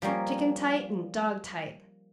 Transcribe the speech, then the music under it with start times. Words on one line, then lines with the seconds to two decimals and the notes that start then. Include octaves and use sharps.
Chicken-tight and dog-tight.
0.02 F3 G3 A#3 C#4